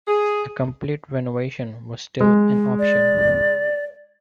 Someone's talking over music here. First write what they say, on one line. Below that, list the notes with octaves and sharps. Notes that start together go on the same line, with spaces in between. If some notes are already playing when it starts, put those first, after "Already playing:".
A complete renovation was still an option.
G#4
G#3
D5